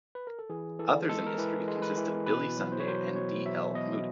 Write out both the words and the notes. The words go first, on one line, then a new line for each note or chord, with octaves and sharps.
Others in history consist of Billy Sunday and D. L. Moody.
B4
A#4
A4
E3 G#4
E3 A4
G#3 A4
A#4
E3 B4
G#3
B4
E3
B2 B4
F#3
C5
C#5
F#3 C5
B2 C#5
F#3 E5
B2 D#5